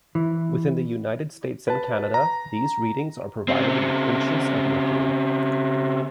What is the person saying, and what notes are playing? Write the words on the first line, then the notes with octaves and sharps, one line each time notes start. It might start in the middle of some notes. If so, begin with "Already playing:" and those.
Within the United States and Canada, these readings are provided in inches of mercury.
E3
B4 A5
A#5
C#3 C4